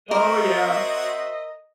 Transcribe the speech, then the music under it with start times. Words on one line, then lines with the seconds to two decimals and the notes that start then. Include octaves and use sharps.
Oh yeah.
0.11 C4 F#4 A#4 C5 C#5 D#5 E5